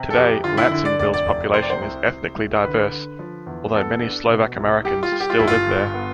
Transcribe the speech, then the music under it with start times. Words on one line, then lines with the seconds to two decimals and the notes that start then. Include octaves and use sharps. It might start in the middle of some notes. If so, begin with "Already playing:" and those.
Today, Lansingville's population is ethnically diverse, although many Slovak-Americans still live there.
Already playing: C3
0.10 A4
0.16 F2 G4
0.44 D3 F4
0.57 E4
0.71 D3 E4
0.85 D5
0.99 F1 D5
1.14 D5
1.26 F1
1.54 C3 C5
1.62 D5
1.70 C5
1.82 C2
2.08 C2
2.36 C2
2.64 D3 B4
2.92 D3
3.19 F3
3.46 E2
3.74 B3 A4
4.01 D4
4.30 B2
4.57 C2
4.85 G3 G4
5.03 F4
5.12 G3
5.20 G4
5.30 F4
5.39 G1 E4
5.48 F4
5.67 G2
5.94 B3